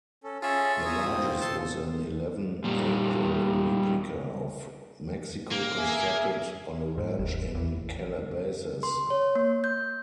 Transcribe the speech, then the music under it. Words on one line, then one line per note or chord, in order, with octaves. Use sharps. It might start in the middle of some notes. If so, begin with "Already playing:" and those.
The largest was an eleven-acre replica of Mexico constructed on a ranch in Calabasas.
C#4 A4
C#4 F4 G#4 A4 E5
G#5 A#5 C#6 D#6
G#2 B2 C4 F4
A4 A5 C6
A#2 G3
A#3
G#4 E5
G#2
F#1 D#2
A1 E2 E3
C6
C#5
A#3
G6